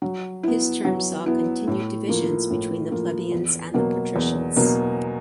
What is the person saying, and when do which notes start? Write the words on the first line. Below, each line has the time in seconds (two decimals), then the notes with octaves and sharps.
His term saw continued divisions between the plebeians and the patricians.
0.02 F#3
0.43 B3 E4
0.85 F#3
1.26 B3 E4
1.68 A2
2.09 F3 A#3
2.51 A2
2.91 F3 A#3
3.32 E2
3.74 B2 F#3 A#3
4.16 E2
4.56 B2 F#3 A#3